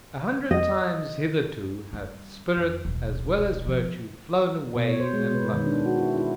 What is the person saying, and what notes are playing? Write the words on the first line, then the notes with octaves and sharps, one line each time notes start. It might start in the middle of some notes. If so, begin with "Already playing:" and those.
A hundred times hitherto hath spirit as well as virtue flown away and blundered.
D#5
G3
F2
D#1 B1
C#3 F3
B2
C#5
C5
G#3
B4
D#3
D4
F#4
E4
E4